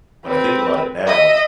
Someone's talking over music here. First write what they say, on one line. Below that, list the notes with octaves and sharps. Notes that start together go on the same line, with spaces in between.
when I think about it now,
C4 B4
D#5 E5